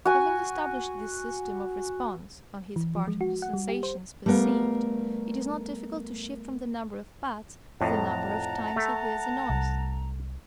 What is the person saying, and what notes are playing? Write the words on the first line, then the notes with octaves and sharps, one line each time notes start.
Having established this system of response on his part to sensations perceived, it is not difficult to shift from the number of pats to the number of times he hears a noise.
F#4 G#5
E3
F3
G#3
F#4
F#5
G3
G4
C5
G3 A3 B3 A#4 F5
F2 A2 F#5 A5 A#5
A3
C2